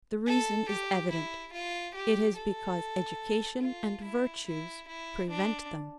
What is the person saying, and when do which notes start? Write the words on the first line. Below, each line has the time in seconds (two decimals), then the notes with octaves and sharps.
The reason is evident: it is because education and virtues prevent them.
0.27 A4
0.69 G4
1.10 E4
1.53 F4
1.95 G4
2.37 A4
3.62 F4
4.04 E4
4.46 E4
4.87 E4
5.30 D4